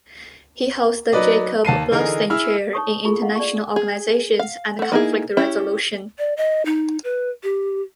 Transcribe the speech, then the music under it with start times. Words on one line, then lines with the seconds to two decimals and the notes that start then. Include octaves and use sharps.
He holds the Jacob Blaustein Chair in International Organizations and Conflict Resolution.
1.12 F#3 D#4 B4 D5 D#5
1.65 D#2 A5 C7 D#7
1.91 D3 E3 D#4 G#4 A#4
2.30 E4 G#4 E6 F6
2.73 D#4 C#5 C#6 D#6
3.05 E4 F4 G#4 A4 B5 C#6
3.22 D#5 F5 F#5
3.35 D5 C#6
3.76 G#4
4.39 F5
4.79 A3 F#5
4.92 A#3 D#4 E4 G#4
5.37 C#4 E4 G4
6.18 D5
6.37 D#5
6.66 D#4
7.04 B4
7.43 G4